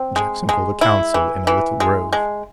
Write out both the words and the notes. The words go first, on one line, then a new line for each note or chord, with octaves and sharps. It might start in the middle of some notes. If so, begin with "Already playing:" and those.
Jackson called a council in a little grove.
Already playing: C4
G#3
G#3
E4
E3
E3
G#3
G#3